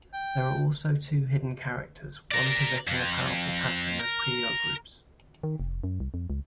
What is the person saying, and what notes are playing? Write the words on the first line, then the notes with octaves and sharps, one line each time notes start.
There are also two hidden characters, one possessing a powerful pattern of Puyo groups.
G5
A#4 D5
F2
A#4
D#3
F1
F#2
C2
F2
C#2